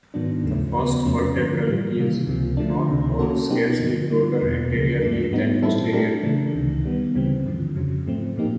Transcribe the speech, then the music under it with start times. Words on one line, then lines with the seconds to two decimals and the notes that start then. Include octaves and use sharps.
The first vertebral is not or scarcely broader anteriorly than posteriorly.
0.14 G#2 D#3 F#3 B3 D4
0.44 D#2 C#3 F3 A3
0.75 D#2 C#3 F#3 B3
1.05 E2 C3 F3 A3 C#4
1.36 G2 D3 F3
1.66 A2 E3 G3
1.97 C3 D#3 G3 A#3
2.27 C#2 C3 F3
2.57 D3 F3 A3 D4
2.88 C#2 C3 D#3
3.19 F#3 A#3 C#4 F#4 A4
3.49 B2 F#3 B3 D#4 G4
3.79 G2 D3 F3
4.10 D3 G3 A#3 D#4
4.41 E2 B2 F#3 A#3
4.71 D2 C#3 F3 G#3
5.02 G2 E3 A3 D4
5.31 G#2 E3 G3 B3 D#4
5.62 A#2 G3 C4 E4 A4
5.93 F#3 A3 D4 G4 A#4
6.23 C#3 E3 A3 D4
6.54 C#2 C3 D#3
6.84 D#3 G3 B3
7.15 D2 C#3 E3 G3 C4
7.46 G2 D3 F3
7.76 F2 C#3 F#3
8.07 G#2 F3 A3 C4
8.37 A#2 F3 A#3 D#4 G4